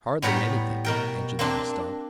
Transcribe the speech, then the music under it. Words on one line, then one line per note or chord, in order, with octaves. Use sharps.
"Hardly anything," answered the House Dog.
A2 G3 B3 A#5 B5
B2 A#4 G5
A#3 C4 D4